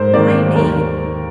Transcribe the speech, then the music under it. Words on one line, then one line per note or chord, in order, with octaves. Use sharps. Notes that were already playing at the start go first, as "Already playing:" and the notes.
My name!
Already playing: G#2 A#4 C5
D#3 A#3 D5
D#2 A#4